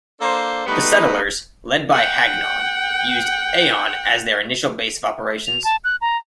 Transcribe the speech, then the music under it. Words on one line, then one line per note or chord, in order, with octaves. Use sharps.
The settlers, led by Hagnon, used Eion as their initial base of operations.
A#3 D4 A4 C5
G3 A3 B3 D#4 B4
F#5 G5
F7
A5
F#6
A#5